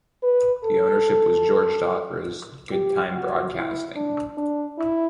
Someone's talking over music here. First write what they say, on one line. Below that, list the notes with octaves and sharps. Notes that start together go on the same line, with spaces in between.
The ownership was George Dacre's "Goodtime Broadcasting".
B4
A4
G4
F#4
E4
D4
D4
E4